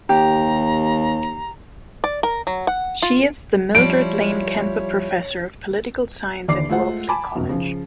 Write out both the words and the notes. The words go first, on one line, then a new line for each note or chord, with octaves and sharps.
She is the Mildred Lane Kemper Professor of Political Science at Wellesley College.
D#2 G4 A#5
D5
A#4
F#3
F#5
F4
F3 G3 E4 C#5 D7
D#2 D3 E3 D5 D6 C7
G#3 A3 F4 C5 F#5
G#5 A5 B5 D6
F1 B1 F#2
C#3 F3